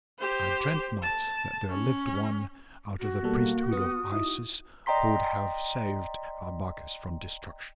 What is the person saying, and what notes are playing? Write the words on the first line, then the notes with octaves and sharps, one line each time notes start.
I dreamt not that there lived one, out of the priesthood of Isis, who would have saved Arbaces from destruction.
G4 C5
A5
C#4
F#4
B2 G3 A#3 A4
B3 D#6 C#7
D#4 E4
D5 D#5 G5 A#5 C6 B6